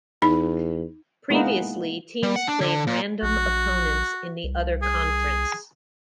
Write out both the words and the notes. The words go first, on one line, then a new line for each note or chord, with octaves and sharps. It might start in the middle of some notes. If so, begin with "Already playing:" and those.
Previously, teams played random opponents in the other conference.
E2 D#4 B5
G#3 A#3 B3 D#4 E4
G3
F#5
D4
D3
A#2
A#1 F#4
C2
G#4